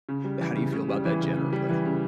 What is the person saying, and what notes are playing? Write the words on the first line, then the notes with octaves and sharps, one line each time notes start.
how do you feel about that generally?
C#3
G3
E3
C#3
C#3
G3
E3
C#3
C#3
G3
E3
C#3